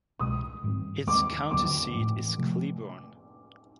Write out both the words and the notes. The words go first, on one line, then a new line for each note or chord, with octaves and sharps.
Its county seat is Cleburne.
C2 B2 G#3 D#6
G#2 D#3 G3 C4
D#2 D#3 G#3 C4 D6
D#2 D3 F#3 B3 D6
A2 E3 A3
C3 F3 A3